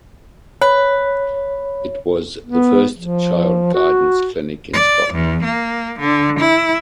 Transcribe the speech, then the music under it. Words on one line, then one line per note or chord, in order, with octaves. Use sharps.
It was the first child guidance clinic in Scotland.
B4 C#5
B3
F3
F#4
D5
E2
A#3
D3
E4